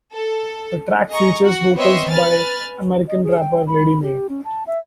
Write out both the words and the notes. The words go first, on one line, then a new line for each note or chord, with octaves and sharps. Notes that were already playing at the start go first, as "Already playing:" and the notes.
The track features vocals by American rapper Lady May.
A4
G#4 D#5 A#5 C#6
F#4 F#5
B3 C4 C#5 D#5 E5 C6
B4 G#5 F6 A6
D#5
G#4
G5
B5
G4
C#4
A5
E5